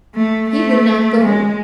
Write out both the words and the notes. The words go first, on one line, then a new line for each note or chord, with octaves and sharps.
He would not go.
A3
A3
G#3